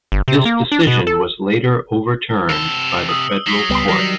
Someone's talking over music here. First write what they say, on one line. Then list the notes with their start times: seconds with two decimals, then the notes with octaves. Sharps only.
This decision was later overturned by the Federal Court.
0.12 G1
0.28 C3
0.45 A#3
0.72 D4
0.87 B2
1.07 A4
2.50 C3 A5 E6 G7
3.09 D#6 E6
3.47 F#3 B6 C7 G7
3.70 C#2 G3 B3 C4 D4
3.89 D#3 F#3 G3 A#6 C7